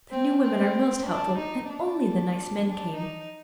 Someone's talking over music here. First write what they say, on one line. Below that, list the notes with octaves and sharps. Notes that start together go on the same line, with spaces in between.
The new women are most helpful, and only the nice men came.
C4
C4
D4
D#4
D4
D4
D#4